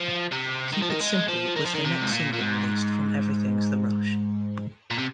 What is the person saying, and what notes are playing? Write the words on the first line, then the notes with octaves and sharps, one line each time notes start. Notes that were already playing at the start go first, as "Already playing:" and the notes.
"Keep It Simple" was the next single released from "Everything's the Rush".
Already playing: F3
C3
D#3
F3
D#3
G#3
F3
D#3
F3
D#3
C3
G#2
A#2
A#2
G#2
A#2
C3